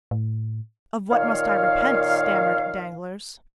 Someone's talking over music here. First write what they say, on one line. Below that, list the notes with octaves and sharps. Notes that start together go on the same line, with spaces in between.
"Of what must I repent?" stammered Danglars.
A2
A#2 D#3 C#5 F5